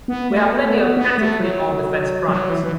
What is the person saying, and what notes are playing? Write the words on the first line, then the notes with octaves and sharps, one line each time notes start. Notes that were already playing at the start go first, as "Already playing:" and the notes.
We have plenty of practically all defense products.
B3
A3
B3
A3
B3
B3
A3
F#3
F#3
E3
E3